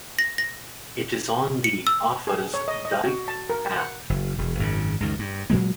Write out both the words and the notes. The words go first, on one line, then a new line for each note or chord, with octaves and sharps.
It is on the Offa's Dyke Path.
A#6
A#6
C#7
E6
G#4
C#5
D#5
D#5
F#4
A5
A#4
F#5
F#1
E1
G#1 F#2 A#2 C#3
C#2 F#2 D#3
G2
A#2 F#3 G#3 A#3